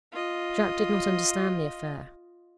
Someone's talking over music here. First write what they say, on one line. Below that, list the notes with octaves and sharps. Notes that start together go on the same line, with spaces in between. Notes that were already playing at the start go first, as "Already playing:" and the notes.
Jacques did not understand the affair.
F4 D#5